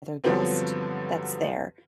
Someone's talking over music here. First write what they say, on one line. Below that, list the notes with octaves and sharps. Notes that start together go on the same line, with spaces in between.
other guest that's there
G2 D3 F3 F#3 B3 C4